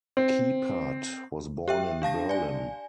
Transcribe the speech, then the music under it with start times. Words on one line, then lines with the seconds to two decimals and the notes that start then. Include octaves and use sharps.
Kiepert was born in Berlin.
0.17 C4
1.68 G4 E5 G5
2.02 D4 F5 A5 A#6
2.29 D5 G#5